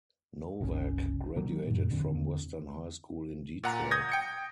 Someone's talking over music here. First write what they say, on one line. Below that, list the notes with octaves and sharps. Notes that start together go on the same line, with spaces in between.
Nowak graduated from Western High School in Detroit.
F#1 C2 A2 C#4
B2 D#3 F#3 A#3
F#2 A#2
E2 D3 C4
A#2 F#5 A#5
D#6 G6 G#6 A#6
G5 C#7